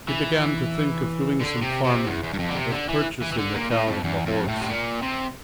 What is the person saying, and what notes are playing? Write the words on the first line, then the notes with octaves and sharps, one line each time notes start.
He began to think of doing some farming, of purchasing a cow and a horse.
E3
D3
C3
C3
E2
E2
G2
F2
D3
C3
D3
E3
E3
E3
D3
A#2
A2
F2
E2
F2
A2
C3
A#2
C3